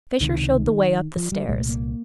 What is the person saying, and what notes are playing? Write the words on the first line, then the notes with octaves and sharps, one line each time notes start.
Fisher showed the way up the stairs.
C#2 C3 D#3
F3
G3
C2 A#2 G#3
A3
A#3